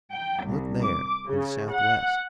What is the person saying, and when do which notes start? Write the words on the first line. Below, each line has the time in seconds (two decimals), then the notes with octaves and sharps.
Look there, in the southwest.
0.11 G5
0.44 C2
0.84 D6
1.27 C#3
1.70 F#5